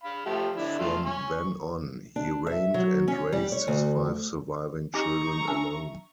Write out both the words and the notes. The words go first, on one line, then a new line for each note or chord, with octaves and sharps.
From then on, he reigned and raised his five surviving children alone.
F5 B5
F3 A3 G4
D3 E4 D5
A3 F4
G#5 C#6
C#6
D4
E5
F#3
C#4
G3
C#5
D2
C#4 D#4 G4 D#5 A#5 C#6
C#4 D4 E5 E6